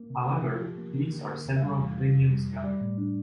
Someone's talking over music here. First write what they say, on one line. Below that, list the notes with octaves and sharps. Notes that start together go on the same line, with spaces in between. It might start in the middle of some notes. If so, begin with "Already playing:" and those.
However, these are several millenniums younger.
Already playing: A#3
C3
A#3
F3 E4
F4
F3 G4
A#3
D3
A#3
A#3
E2
E5
G3 F5
E2
C3
F2
G3
F2
E5
G3 D5
A2
D4